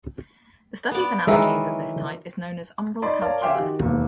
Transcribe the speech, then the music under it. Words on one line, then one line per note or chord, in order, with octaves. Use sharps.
The study of analogies of this type is known as umbral calculus.
B3 D5
D#3 E3 F#3 G#3 E5 A#5
D#4 D5 B5 C6 A6
A#4 C#5 D5 F5 A5
E5 F5 G5 G#5 C6 D6
D#3 F#4 G4
E1 D#2